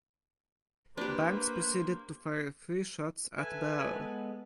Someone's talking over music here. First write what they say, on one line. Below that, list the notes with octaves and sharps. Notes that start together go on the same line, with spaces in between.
Banks proceeded to fire three shots at Bell.
A#3 D4 G4 B4 C5
A4 B4 E5 G#5
G#3 B3